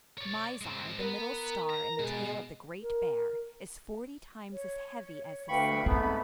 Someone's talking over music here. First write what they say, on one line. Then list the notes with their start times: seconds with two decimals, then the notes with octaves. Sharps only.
Mizar, the middle star in the tail of the Great Bear, is forty times as heavy as the sun.
0.18 C#5 D5
0.61 G#3 C4
1.00 B3 A#4
1.70 A#5
1.99 B2 G#3
2.82 A#4
4.50 C#5
5.49 D2 B4 F5 G5 B5 C#6
5.86 G#2 A3 B3 C4 B5